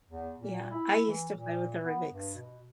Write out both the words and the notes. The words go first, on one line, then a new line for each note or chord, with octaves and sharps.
Yeah. I used to play with the Rubik's
E2
A#2
E4
E3
A#2
B3
G2
B2